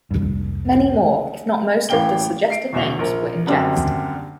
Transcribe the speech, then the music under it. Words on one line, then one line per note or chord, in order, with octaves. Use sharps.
Many more, if not most of the suggested names were in jest.
F1 C2 G2
A1 E3 G4 F5 G5 G7
C7 D7
E2 B2 E5 F7
A#1 A#4
F#2 D3 F#3 G3 C4 D4